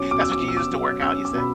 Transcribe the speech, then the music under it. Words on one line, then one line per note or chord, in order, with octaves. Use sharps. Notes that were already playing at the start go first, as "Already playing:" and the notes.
That's what you use to work out, you said?
Already playing: B2 F#3 C#4 D6
B2 D6
E6
D6
B2
E6
D6
F#3
C#4 E6
D6
B2
B5